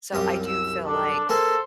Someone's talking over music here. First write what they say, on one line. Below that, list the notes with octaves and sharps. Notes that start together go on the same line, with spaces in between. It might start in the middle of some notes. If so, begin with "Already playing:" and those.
So, I do feel like
C2 F#2 G4 D#6
E6
D4 A4
A#3 G#4 A4 C5